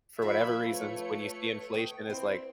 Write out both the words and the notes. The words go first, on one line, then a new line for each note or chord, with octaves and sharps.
for whatever reasons, when you see inflation is like
F2 F3 F4 E5 B5 G#6
A3 B4 C#5 C#7
D#5 G5
C4 E4 C5